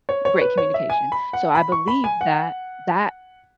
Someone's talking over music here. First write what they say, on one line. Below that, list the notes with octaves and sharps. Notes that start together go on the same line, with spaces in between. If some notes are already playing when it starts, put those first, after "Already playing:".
great communication. So, I believe that that
C#5
C#5
B4
C#5
E5
G#5
B5
F#5
B5
C#6
B5
G#5
F#5